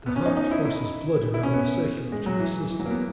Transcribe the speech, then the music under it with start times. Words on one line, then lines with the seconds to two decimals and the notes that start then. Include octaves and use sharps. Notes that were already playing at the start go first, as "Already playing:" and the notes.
The heart forces blood around the circulatory system.
0.06 B3
0.16 C#4
0.26 D#4
0.37 D#4
0.51 E4
0.65 E4
1.34 E4
1.43 C#4
1.53 B3
2.12 G#3
2.26 F#3
2.40 E3
2.70 E3
2.80 F#3
2.86 A#3
2.90 B3